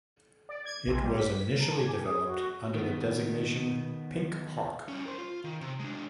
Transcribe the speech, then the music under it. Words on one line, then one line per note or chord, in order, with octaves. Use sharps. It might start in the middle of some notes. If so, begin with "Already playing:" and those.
It was initially developed under the designation Pink Hawk.
D5
G#6
A#1
G3
B6
A5 A#5
G#5 D6
G4
G#4 D#6
F#4
D#3 B3
G3 C#4
A#4 C5
F4
D#3
C3
G#3 D4